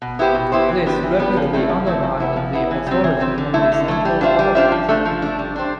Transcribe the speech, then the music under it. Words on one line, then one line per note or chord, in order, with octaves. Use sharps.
This rapidly undermined the authority of the central government.
B2
B3 E4 G4 C5
B2
B3 E4 G4 C5
E3
B3 D4 G4 B4
E3
B3 D4 G4 B4
F3
A3 C4 E4
F3
A3 C4 E4
F3
B3 E4
F3
B3 E4
E3
G3 C4
E3
G3 C4
D3
A3 E4
D3
A3 E4
G3
D4 F4 C5 E5
G3
D4 F4 C5 E5
F3
A3 D4
F3
A3 D4
G3
D4 G4 C5